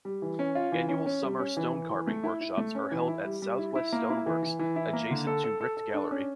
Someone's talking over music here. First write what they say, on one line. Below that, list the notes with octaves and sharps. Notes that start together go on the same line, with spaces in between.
Annual summer stonecarving workshops are held at Southwest Stoneworks adjacent to Rift Gallery.
G3
E3
C#4
F4
E3
C#4
C#4
G3
C#4
E3
E3
E3
A3
E4
E4
A3
C#4
E3
E4
G3
G3
E4
E4
A#3
E4
E3
E3
E3
E4
A#3
D3
A4
A4
A4
A4
D4
C#4